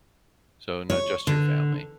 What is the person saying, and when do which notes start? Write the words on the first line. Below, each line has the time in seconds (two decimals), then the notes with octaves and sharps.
so, not just your family.
0.90 C#5
1.27 D3